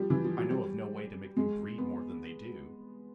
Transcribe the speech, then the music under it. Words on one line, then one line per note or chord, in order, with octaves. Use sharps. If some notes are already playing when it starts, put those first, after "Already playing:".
I know of no way to make them breed more than they do.
Already playing: F3 G3
E3
F3
F#3
G3
G#3
B3